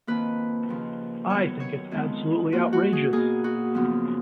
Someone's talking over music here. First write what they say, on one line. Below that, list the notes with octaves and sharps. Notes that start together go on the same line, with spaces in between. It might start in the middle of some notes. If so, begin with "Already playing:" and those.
I think it's absolutely outrageous.
F2 D#3 A#3 B4
D#2 C#3 F3
D#2 D#3 F#3 B3 C#5
C#5
F2 D#3 G#3 B3
G#2 F3 A#3 F#4
F#4
G#4
B2 A#3 G#4
F#4
F#2 C#3 F3 B3